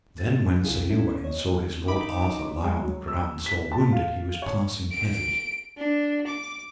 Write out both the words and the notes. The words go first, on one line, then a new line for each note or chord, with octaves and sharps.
Then when Sir Uwaine saw his lord Arthur lie on the ground sore wounded, he was passing heavy.
A6
C2 C3 E4 F4 G#4
C#4 E4 A4
C#5 D#5
D#4 B5 D6
G#3
F#3
E6
B6
A5
F4
C#5
D7
D4
D6